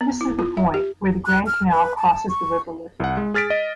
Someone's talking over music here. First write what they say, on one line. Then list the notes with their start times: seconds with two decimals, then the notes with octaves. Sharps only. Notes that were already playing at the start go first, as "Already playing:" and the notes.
This is the point where the Grand Canal crosses the River Liffey.
0.01 B3
0.21 E4
0.39 F4
0.57 E5
0.74 G4
1.26 F#6
1.47 F6
1.71 B4
1.98 A5
2.29 C#6
3.00 C2 F#5
3.17 G#3
3.34 G#4 F6 A6 B6 D7
3.50 D#5